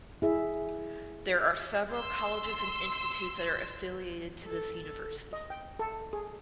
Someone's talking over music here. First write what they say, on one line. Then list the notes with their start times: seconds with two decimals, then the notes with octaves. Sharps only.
There are several colleges and institutes that are affiliated to this university.
0.22 E4 G#4 E5
1.92 C6 E6
4.46 A4
5.33 D#5
5.50 G5
5.79 A4
6.13 G#4